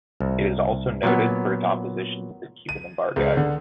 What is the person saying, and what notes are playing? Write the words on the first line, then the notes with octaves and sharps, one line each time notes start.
It is also noted for its opposition to the Cuban embargo.
C2
A#2 F#3 B3
D#7
C#2
D3